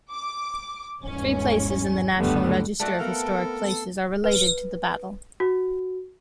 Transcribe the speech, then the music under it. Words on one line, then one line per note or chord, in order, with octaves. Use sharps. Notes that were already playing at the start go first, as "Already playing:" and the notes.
Three places in the National Register of Historic Places are related to the battle.
D6
G1 E2 G#2 C#4
C#2 F#2 D3 G3 A3 B3
A3 C4 F#4 D5
B3 A4 A#4 F5 F#5
B4
F#4